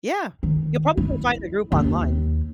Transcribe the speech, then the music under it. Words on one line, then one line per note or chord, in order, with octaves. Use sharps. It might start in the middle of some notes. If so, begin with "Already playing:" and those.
Yeah. You'll probably find a group online.
D#3
E4
D#2